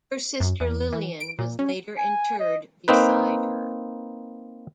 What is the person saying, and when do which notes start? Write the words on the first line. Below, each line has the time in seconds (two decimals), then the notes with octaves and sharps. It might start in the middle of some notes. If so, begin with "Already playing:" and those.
Her sister Lillian was later interred beside her.
0.40 F#2
0.60 E2
0.92 E3
1.20 D7
1.39 A#2
1.59 C#4
1.98 G#5
2.39 D#5
2.88 A#3 C4 D#4 B4